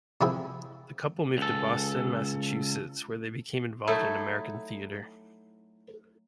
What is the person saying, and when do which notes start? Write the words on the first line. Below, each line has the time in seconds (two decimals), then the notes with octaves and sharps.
The couple moved to Boston, Massachusetts, where they became involved in American theatre.
0.21 C3 F3 C4 E4 G#4 A4
1.38 C#2 A4
3.87 F#3 A3 D#4 E4 A4